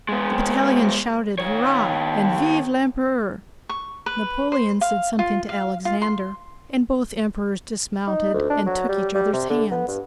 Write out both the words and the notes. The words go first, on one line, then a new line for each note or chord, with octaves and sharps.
The battalions shouted "Hurrah!" and "Vive l'Empereur!" Napoleon said something to Alexander, and both Emperors dismounted and took each other's hands.
G#3 B3
D#3 C#5
C#6
B4
C5
F5
F4
F5
F4
C6
D#4
D2
D4
F#3
G3
G3
C3
D3
B3
G2